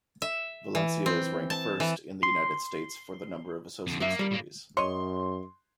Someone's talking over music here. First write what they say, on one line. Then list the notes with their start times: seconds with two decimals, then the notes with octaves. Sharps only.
Valencia is ranked first in the United States for the number of associate's degrees.
0.22 E5
0.75 E3
1.06 C4
1.50 A5
1.80 E3
2.23 C6
3.87 F2 D3
4.00 F#2 A#3 E5
4.19 G3
4.31 A2 A#3
4.77 F#2 C#5 D#5 C6